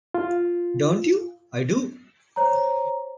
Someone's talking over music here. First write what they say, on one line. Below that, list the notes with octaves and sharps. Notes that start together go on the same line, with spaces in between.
Don’t you? I do.
F4
C5 C#5 A#5